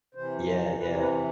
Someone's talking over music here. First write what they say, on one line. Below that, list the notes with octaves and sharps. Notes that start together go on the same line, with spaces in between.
Yeah, yeah.
C3 E3 C5
C3 E3 B4
B4